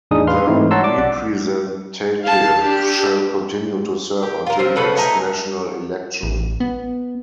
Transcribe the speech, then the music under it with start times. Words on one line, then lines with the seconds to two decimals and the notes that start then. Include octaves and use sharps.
The representative shall continue to serve until next national election.
0.11 E2 A2 D4 D#4 G#4 D#6
0.27 B4 F5 C6 F6
0.47 G#2 E3 A3 C4 D#4 E4
0.71 C#5 F#5 A5 A#5 C6 E6
0.83 D5 D6
0.98 B1 D5 F#5
2.24 F5 A5
2.62 D4 G4
4.23 G4
4.46 F4 A#4
4.59 F3 C4
4.76 C#3 B3 A4 B4
4.97 A3 D#4 G#5 A#5
6.23 A1
6.60 B3